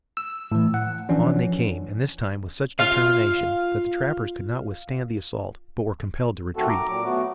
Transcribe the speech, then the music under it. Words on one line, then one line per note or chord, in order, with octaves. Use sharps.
On they came, and this time with such determination that the trappers could not withstand the assault, but were compelled to retreat.
E6
A2 E3
F#5
E3 F3 C#4 D4
F4 F5
D#3 A3 C4 F#4 A4
A#5 D6
A#2 F#3 D6
A3 B3 F#4